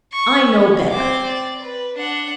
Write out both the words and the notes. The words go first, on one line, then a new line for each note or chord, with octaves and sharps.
I know better.
C#6
C#4
C4 D6
D5
B4
D4 F#5